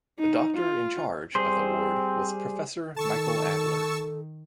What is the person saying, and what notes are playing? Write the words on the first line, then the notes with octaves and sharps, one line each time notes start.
The doctor in charge of the ward was Professor Michael Adler.
D#4
F4
G3 C4 G#4 C5 C6
D#3 A4 A5 C#6 E6